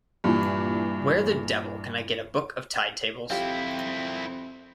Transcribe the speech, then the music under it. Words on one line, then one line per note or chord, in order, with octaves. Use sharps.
Where the devil can I get a book of tide tables?
G2 A#2 E3
F2 C4 E4 F4 G4